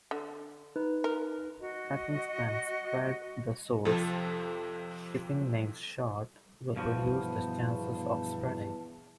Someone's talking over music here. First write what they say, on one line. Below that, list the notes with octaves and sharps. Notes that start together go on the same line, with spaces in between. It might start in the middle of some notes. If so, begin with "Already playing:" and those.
Scratching can spread the sores; keeping nails short will reduce the chances of spreading.
D3
D#4 B4
A#4
F#4 D#5
F2 C3 F3 A4
E2 G2 B2 F3 A5